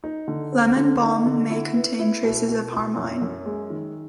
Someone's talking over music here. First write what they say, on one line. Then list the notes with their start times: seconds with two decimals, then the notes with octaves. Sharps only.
Lemon balm may contain traces of harmine.
0.04 D#4
0.28 D3
0.52 C4
0.76 D3
1.01 D#4
1.26 D3
1.50 E4
1.74 B3
1.99 E4
2.24 B2
2.48 B2
2.72 E4
2.97 F#2
3.22 F#2
3.46 G#3
3.70 D#3